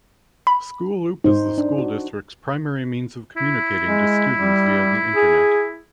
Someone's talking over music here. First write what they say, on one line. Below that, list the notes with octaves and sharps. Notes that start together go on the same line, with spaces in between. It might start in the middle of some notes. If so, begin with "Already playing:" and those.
SchoolLoop is the school district's primary means of communicating to students via the Internet.
B5
G#2 D#4 C5
D4
F#4
E4
G#3
G3
G#4